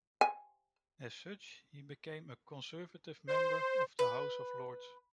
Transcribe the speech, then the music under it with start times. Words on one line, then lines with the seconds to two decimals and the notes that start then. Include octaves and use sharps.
As such, he became a Conservative member of the House of Lords.
0.21 G#5
3.27 C5
3.99 B4